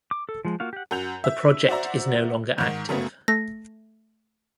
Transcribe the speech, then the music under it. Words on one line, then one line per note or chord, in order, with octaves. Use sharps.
The project is no longer active.
D6
A4
F3 G#3
A#3 F4 F#4 F5
G4 F#5
F#2 F#5 G6 F7
E5
F#4 C5 D5 E5 A#5
G#2 D#3
F#2 C#3 A3 B3
A3 A#6